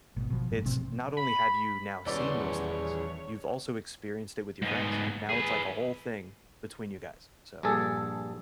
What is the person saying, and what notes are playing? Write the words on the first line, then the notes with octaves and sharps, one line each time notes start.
it's not only have you now seen those things, you've also experienced it with your friends. Now, it's like a whole thing between you guys, so
G#1 B2
B2 F3
F#1 G#2
A1 B2 F3 C4
B5
D#1 E2 B3 C#4 C#5 D5 C6 E6
G#2 B3
G#4 B4
A#1 G2 G#4 A4